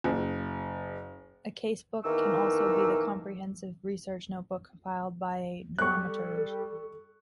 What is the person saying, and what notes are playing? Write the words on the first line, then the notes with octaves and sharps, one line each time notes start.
A casebook can also be the comprehensive research notebook compiled by a dramaturge.
F#1
E2 D#3 A3 A#3 E6
G3 A4 C#6 F#6